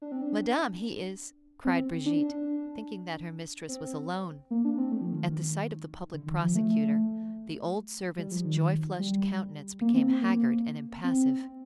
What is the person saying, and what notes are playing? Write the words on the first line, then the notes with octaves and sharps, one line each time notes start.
"Madame, he is--" cried Brigitte, thinking that her mistress was alone. At the sight of the public prosecutor, the old servant's joy-flushed countenance became haggard and impassive.
D4
C4
D4
C4
D4
C4
A#3
D4
C4
A3
F3
D#3
D#3
D#3
D3
D#3
F3
A3
G3
F3
D#3
G3
A#3
C4
C4
A#3
C4